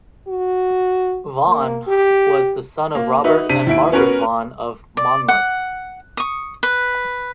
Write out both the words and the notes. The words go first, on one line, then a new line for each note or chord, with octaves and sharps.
Vaughan was the son of Robert and Margaret Vaughan of Monmouth.
F#4
A#3
G4
A#3
D#4 F#4 B4 E5
C3 D4 B6 D#7
D#2 E4 D7
B3 C#4 F#4 A#4 B4
D5
F#5
C#6 D#6
B4